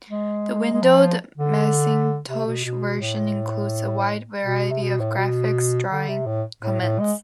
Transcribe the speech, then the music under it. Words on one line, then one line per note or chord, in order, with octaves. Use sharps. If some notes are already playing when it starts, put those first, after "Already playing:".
The "windowed" Macintosh version includes a wide variety of graphics drawing commands.
G#3
G#3
F3
D3
C3
B2
B2
A2
B2
C3
B2
A2
B2
D3
C3
A2
A2
A2
G#3